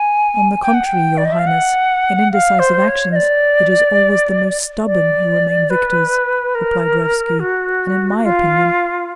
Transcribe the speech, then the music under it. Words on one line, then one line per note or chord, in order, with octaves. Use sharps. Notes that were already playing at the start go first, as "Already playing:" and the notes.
"On the contrary, your Highness, in indecisive actions it is always the most stubborn who remain victors," replied Raevski, "and in my opinion..."
Already playing: G#5
G5
F#5
G5
D5
D#5
E5
F5
F#5
F5
C5
C#5
D#5
D5
D5
B4
A#4
F#4
F#4
F4